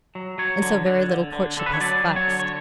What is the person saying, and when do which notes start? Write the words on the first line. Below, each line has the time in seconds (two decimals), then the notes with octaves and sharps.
And so very little courtship has sufficed.
0.15 F#3
0.38 F#3 C#5
0.62 D3
0.86 D3
1.09 D3
1.33 D3
1.57 D3 A4
1.66 B4
1.73 C#5
1.80 F#3 D5
2.04 F#3
2.16 C#5
2.27 D3
2.40 C#5